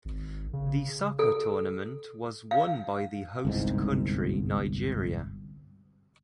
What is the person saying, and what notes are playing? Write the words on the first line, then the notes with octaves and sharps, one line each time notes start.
The soccer tournament was won by the host country Nigeria.
G#1
C#3
A4
F5
G1 C2 G#2